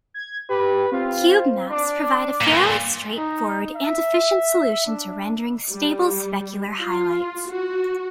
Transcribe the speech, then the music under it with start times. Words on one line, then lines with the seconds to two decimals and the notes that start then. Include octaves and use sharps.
Cube maps provide a fairly straightforward and efficient solution to rendering stable specular highlights.
0.14 G#6
0.49 G4 B4
0.92 C4 F4
1.71 D4 D6
2.41 G2 A#2
3.18 D#4
3.76 E5
4.86 D4
5.71 G3
6.80 F4
7.48 F#4